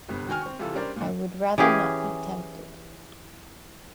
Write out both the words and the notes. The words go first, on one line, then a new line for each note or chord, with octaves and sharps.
I would rather not be tempted.
G1 C3 B3
D#3 F#4 G5 G#5 F6
C4 C#6
C3 E3 G3 F4 A4
G3 C#4 D4 A#4 C5 D5
A#2 D3
E3 C#4 G4 G#4